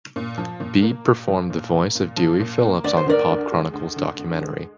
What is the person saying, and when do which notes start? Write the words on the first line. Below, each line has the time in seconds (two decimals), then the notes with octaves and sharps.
Beebe performed the voice of Dewey Phillips on the Pop Chronicles documentary.
0.16 A#2
0.38 F3
0.60 A#2
0.82 A#3
1.05 A#2
1.27 F3
1.50 A#2
1.72 A#3
1.95 A#2
2.17 F3
2.40 A#2
2.62 A#3
2.84 D2 D5
2.97 C5
3.06 D3 A#4 D5
3.29 D2
3.52 G#3
3.74 D2
3.96 D3
4.19 D2
4.41 G#3